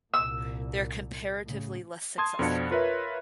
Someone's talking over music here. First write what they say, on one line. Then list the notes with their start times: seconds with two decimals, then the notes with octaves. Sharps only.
They are comparatively less successful.
0.14 C2 A#2 E6
1.45 A2 C#3
2.18 A5 C6 D#6 G#6
2.39 F2 B2 C4 D4 F5 C#7
2.71 F4 A#4 B4 C#5 E5